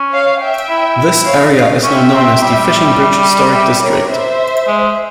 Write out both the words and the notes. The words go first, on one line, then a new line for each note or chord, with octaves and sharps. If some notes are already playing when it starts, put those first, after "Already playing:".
This area is now known as the Fishing Bridge Historic District.
Already playing: C#4
C#5 F5
E5 G5
E4
C#5 F5
C#5 F5
C#4 E5 G5
C4
G3
E5 G5
A#4 C#5
C5 E5
G#3